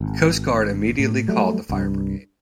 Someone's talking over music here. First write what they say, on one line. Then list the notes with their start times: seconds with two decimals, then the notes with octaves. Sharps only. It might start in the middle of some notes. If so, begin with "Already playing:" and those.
The Coastguard immediately called the fire brigade.
0.01 G#1
0.99 A2
1.28 F#3 G3 A3
1.69 C2 G2